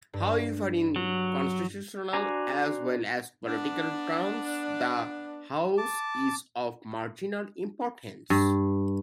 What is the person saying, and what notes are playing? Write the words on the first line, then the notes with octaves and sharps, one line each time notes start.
However, in constitutional as well as political terms, the House is of marginal importance.
G2
F#3
D4 F#4 C5 G#5 A#5
B3 D4
A5 D6
G2